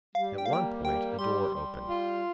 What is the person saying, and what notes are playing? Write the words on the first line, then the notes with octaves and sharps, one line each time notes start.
At one point a door opened.
G3 F5
G5
F5
A#3 G5
G3 G5
G3 C6
G3
F4